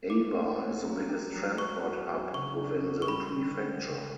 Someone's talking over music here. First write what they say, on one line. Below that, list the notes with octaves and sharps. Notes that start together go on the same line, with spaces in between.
Aba is the biggest transport hub within the prefecture.
A3 D6
A3
C#4
F#3
G4
F#3
F#3 C#6
F#4
F#3
C#3 C#6
D4
F#4
C#6
G3 B5
D3
G3
C#3